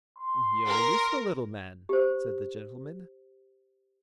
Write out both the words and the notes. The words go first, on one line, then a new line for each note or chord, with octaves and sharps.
"You're a useful little man," said the gentleman.
C6
A#4
G4 C5